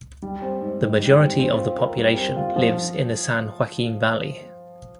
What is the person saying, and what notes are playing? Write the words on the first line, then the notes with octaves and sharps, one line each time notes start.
The majority of the population lives in the San Joaquin Valley.
G3
C4
G#2
G#2
G3
C4
C4
F4
A#4
G3
C4
F4
F3